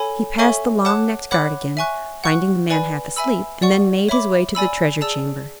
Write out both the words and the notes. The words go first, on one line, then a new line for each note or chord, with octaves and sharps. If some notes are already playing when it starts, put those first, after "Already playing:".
He passed the long-necked guard again, finding the man half asleep, and then made his way to the Treasure Chamber.
Already playing: A4 C#5 G#5 B5
A4 C#5 E5 G#5 C#6
C#5 F#5 A5 D6 F#6
C#5 F#5 B5 D6 F#6
E5 G#5 C#6 F#6
F#5 C#6 F#6
B4 D5 G#5 B5
E5 G#5 B5 E6
D5 F#5 C#6
C#5 E5 B5 D6
D5 G#5 B5 E6
G#4 D5 A5 E6